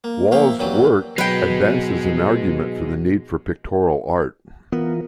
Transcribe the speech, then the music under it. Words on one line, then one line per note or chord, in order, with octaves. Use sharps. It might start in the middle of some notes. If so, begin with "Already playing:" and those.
Wall's work advances an argument for the need for pictorial art.
A#3
F3 A3 A#3 E5 F5 G5
F#2 A#2 E3 F#3 G4
B2 F#3 G#3 D#4 B4 G5
E3 B3 F4 A#4